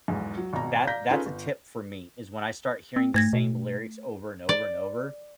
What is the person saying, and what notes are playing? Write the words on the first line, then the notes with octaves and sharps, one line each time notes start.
that that's a tip for me is when I start hearing the same lyrics over and over and over,
B1 E2 G#2
F#3
G#1 B2 A#5
D5 F5 A#5 G6 A#6 B6
C#4 D#4 F4 G#4 A4 B4
G1
C4
G#2 A3 G#6 A#6
B2
D5